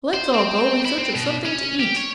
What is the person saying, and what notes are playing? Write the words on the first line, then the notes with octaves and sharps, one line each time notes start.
"Let's all go in search of something to eat!"
C5
C4
E4
C4
B2
C#4
G4
C#5